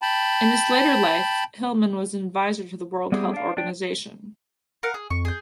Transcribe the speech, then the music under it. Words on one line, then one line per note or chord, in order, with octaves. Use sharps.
In his later life, Hilleman was an adviser to the World Health Organization.
G5 A5 B5
G3 B3 C4 E4 G4 G#4
D4 F5
D4 G5
A#4 F5 F#5
G#4
F2 C#6
G#4 G6